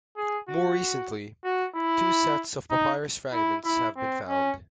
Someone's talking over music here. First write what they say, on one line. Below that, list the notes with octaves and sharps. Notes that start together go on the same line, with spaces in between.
More recently, two sets of papyrus fragments have been found.
G#4
F#4
F#4
E4
D#4
E4
E4
C4
C#4